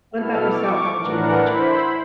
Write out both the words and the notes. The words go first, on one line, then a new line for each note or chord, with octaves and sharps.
What about yourself? How would you approach it?
B2 E4 A4 F6
C#6 D6
A2 E3 D4 A#4 F#5
E4 C5 B5